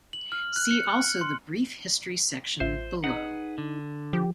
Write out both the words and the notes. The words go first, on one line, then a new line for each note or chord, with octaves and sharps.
See also the brief history section below.
F#7
F6
F#6
C#7
C6
A1 F4 C5 E5
D#4 G#4 B4 F#5
D3
F3 G4